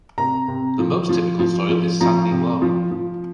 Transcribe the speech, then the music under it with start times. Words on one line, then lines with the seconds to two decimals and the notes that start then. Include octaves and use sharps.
The most typical soil is sandy loam.
0.18 C3 A#5
0.48 C3
0.79 F3
1.09 F3
1.39 F3
1.69 F3
2.01 F3 A#5
2.31 C3
2.62 F3
2.91 F3